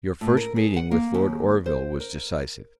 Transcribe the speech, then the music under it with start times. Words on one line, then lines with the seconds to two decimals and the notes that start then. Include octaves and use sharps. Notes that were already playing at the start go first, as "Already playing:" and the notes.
Your first meeting with Lord Orville was decisive.
0.21 A2
0.37 A#4
0.56 G#4
0.77 F#5
0.91 A#3
1.14 D#2
1.66 C5
2.00 A#4